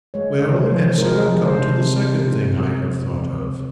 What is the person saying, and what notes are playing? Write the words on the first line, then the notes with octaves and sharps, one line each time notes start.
Well; and so I come to the second thing I have thought of.
G#3 C#5
C3
C5
F3
G#3 A#4
F3
C5
C3